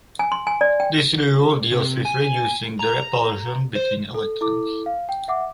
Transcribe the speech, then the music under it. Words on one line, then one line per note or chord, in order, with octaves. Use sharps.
This rule deals with reducing the repulsion between electrons.
G#5
C6
G#5
D5
G5
C3
G#5
A#5
C5
A4
E4 A4 D6
F5
G5
E5 F#5 D6